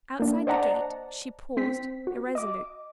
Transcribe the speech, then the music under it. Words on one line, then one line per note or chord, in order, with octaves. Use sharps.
Outside the gate she paused, irresolute.
A#3 D4
C5 D5 D#5 F#5 A5 A#5
C4 B6
F#4
D#5 D6